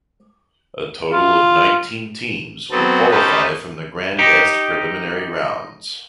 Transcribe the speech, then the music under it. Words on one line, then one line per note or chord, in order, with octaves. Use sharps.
A total of nineteen teams will qualify from the Grand Est preliminary rounds.
F4
F#3 B3 C4 A4
C#4 D#4 G4 A4 B4 C5
D#4 G4